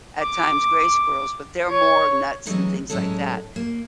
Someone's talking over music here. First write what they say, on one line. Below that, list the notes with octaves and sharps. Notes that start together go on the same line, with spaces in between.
at times, gray squirrels, but they're more nuts and things like that,
D6
C#5
D#3 E3 F#3 G#3 A3 C#4
A2 F#3 G#3 C#4 A4
A#3